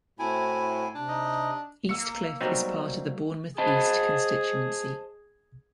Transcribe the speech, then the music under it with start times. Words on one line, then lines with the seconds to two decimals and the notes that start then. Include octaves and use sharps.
East Cliff is part of the Bournemouth East constituency.
0.19 A2 C4 E4 F#4 G#5
0.95 C3 D4
1.08 D#4 D#5
1.89 A#3 E6 C#7
2.41 F#3 G3 B3 C4 D#4
3.58 G#4 C5 D#5 A5